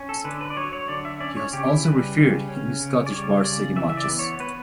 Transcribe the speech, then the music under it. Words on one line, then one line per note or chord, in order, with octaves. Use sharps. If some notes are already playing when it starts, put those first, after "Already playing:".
He has also refereed in Scottish Varsity matches.
Already playing: C#4
A4
D3 B4
B4
D5
F#3 C#5
C#5
D3 D5
E5
C#4 D5
C#5
C#3 G4
E4
G3 B4
C#3
C#4
C#3
D5
G3 C#5
C#3 D5
E3 E5
E5
D5
B3
C#5
B3 B4